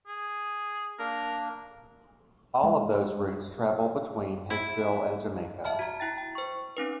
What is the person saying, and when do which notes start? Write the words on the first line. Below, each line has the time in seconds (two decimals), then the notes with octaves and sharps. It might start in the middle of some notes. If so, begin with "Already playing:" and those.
All of those routes travel between Hicksville and Jamaica.
0.08 G#4
0.99 A#3 D4 A#4
2.64 G#3
4.50 E4
5.64 E5 A5 B5 F6
5.79 F#4 A#5
6.00 E4 G5 A6
6.18 G5
6.35 C5 C#6
6.77 C4 C#4 D#4 B4